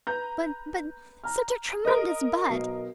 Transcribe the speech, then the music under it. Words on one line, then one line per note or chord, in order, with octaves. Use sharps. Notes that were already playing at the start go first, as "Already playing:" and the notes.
But--but--such a tremendous but!
B4 A#5 G6
A#5 F6
A#4 D#5
B1 C7